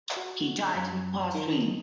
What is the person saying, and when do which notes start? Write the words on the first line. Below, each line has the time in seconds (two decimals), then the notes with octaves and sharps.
He died in Qazwin.
0.17 F#4
0.75 F#2
1.35 D#3